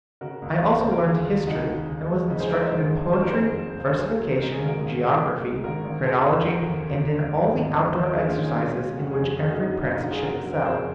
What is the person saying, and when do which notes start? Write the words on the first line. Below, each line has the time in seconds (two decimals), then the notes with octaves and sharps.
I also learnt history, and was instructed in poetry, versification, geography, chronology, and in all the outdoor exercises in which every prince should excel.
0.21 C#3 F#4 A#4
0.42 C#2
0.62 C#2 C#5
0.78 C5
0.84 C#2
0.91 A#4
1.04 D#2 F4 G#4
1.25 D#2
1.46 C#3 D#4 F#4
1.67 D#2
1.88 C#3
2.09 G#3
2.30 C#3 D#4
2.40 G#4 C5
2.50 G#3 A#4 C#5
2.61 C5 D#5
2.71 F#1 G#4 C5
2.93 D#3
3.13 F2 C5
3.22 A#4
3.30 F2 G#4 C5
3.56 F#3
3.76 C#2
3.85 C#5
3.96 F#3 G#4 C5
4.18 F#3
4.39 G#3 A#4
4.52 G#4
4.60 G#1
4.66 F#4 A#4
4.80 G#1
5.02 G#3
5.21 G#3
5.43 G#3
5.63 G#1 F#4 A#4
5.85 G#1
6.05 D#2 G#4 C5
6.26 F1
6.47 F1 F#4 A#4
6.68 D#2
6.89 F#3
7.10 G#1
7.31 G#2
7.52 G#1
7.71 D#2 D#5
7.82 C#5
7.92 D#2 C5
8.03 A#4
8.14 D#3 F4 G#4
8.28 C#4 F4
8.35 D#2
8.42 C#4
8.56 G#3 C#4 F4
8.77 G#3
8.97 F2 F#4
9.11 G#4
9.18 F2
9.25 F#4
9.37 C#3 G#4
9.50 D#4 F#4
9.60 F#2
9.81 F#1 D#4 F#4
9.92 F4
10.02 F#1 F#4
10.12 G#4
10.23 F#3 F#4 A#4
10.44 F#3
10.53 A#4
10.65 F2 G#4 C5